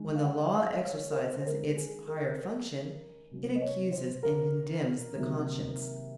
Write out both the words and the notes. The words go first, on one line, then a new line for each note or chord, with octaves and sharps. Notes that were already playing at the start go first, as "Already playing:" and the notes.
When the Law exercises its higher function it accuses and condemns the conscience.
Already playing: D#3 G#3 D#4
F5
F#5
F5
C#5
A#4
C5
C5
D#3 G#3 C#4 A#4
G#4
A#4
C3 F#3 C#4
D#5
C#5
C5
A#4
C3 D#3 F#3 A#3